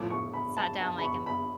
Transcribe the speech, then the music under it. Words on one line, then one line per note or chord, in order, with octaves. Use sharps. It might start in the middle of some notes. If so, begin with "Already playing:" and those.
sat down, like, and
Already playing: A2 F3 A3 D6
C#6
B5
A5
A5
B5
C#6
B5